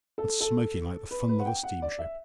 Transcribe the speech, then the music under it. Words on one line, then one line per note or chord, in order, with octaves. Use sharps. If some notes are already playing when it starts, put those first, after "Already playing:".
And smoking like the funnel of a steamship!
A4
A4
B4
B4
F#5
G5
F#5
D5
E5